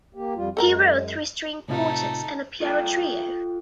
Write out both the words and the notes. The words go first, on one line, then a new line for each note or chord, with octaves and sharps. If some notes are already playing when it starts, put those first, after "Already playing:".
He wrote three string quartets and a piano trio.
A#3 G4
F2 G3 F4
F#2 G#3 A4 A#4 A#5
A2 C3 A3 D#4 F4
F4 A4 D5 D#5 F5 G5